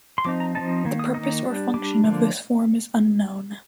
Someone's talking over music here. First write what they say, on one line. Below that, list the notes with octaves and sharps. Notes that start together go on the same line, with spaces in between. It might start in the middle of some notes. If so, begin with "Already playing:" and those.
The purpose or function of this form is unknown.
C6
F3 C4 D#4 D6
A#5
F3 C4 D#4 A5
D#3 A#3
D#6
D#3 A#3 D#4 D#6
G3 D4
G3 D4 D6
D3 F3 A#3 D4